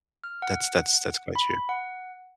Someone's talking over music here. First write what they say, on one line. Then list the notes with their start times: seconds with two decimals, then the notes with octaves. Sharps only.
That's that's that's quite true.
0.24 F6
0.42 F#5
1.35 B5
1.69 F#5